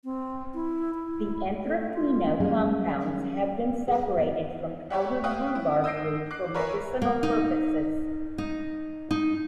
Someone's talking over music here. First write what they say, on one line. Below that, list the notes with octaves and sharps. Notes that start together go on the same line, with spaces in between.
The anthraquinone compounds have been separated from powdered rhubarb root for medicinal purposes.
C4
E4
E4
A3
F4
F#3 G3 A#3 C#4 G#4
G#4 B4
B3
G4 C#5 E5 F#5
E5 F5 G5 C#6 D#6 F#6
E4
D#6 E6 G6 A#6 C7 D7
D6 F#6 C7
A#4 B4 C#5 D5 E5 G#5
A#3
D#4
D#4
D#4